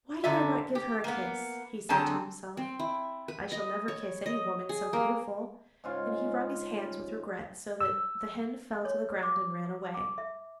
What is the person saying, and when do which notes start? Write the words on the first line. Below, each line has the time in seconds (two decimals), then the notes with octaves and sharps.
'Why did I not give her a kiss?' he said to himself; 'I shall never kiss any woman so beautiful.' And he wrung his hands with regret, so that the hen fell to the ground and ran away.
0.24 F#2 D3 D4 E5
0.75 G4
1.04 A#3 B3
1.89 D3 F#3 C4 G#4 A5
2.57 C4
2.80 E4
3.28 B4
3.52 D#5
3.88 C#5
4.26 D#5
4.69 G#4
4.93 A#3
5.84 G#2 C#3 F4
7.81 E6
8.85 C#5
9.23 D6
9.94 D6
10.18 E5